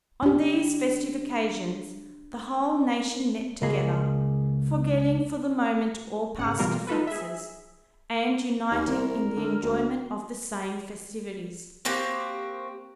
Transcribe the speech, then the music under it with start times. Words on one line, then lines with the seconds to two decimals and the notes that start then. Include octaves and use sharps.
On these festive occasions the whole nation met together, forgetting for the moment all past differences, and uniting in the enjoyment of the same festivities.
0.23 D4 G4
3.62 C#2 A#3 G#4
6.38 G#1 C#3 F#5
6.59 B2 E3 G3 A#3 F4 A#4
6.87 D#4 F4 A4 B4
7.07 G#4 E5
8.71 D#2
8.87 C2 A#4
9.37 D3
9.62 D2
11.85 A#3 C4 F#4 G4